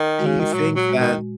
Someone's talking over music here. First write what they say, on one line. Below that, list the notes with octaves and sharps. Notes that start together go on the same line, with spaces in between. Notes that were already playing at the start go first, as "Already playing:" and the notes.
do you think that
Already playing: D#3
G#3 F#4
C#3
D#3
A#2 F#3
F#3
G#3 F#4
D#3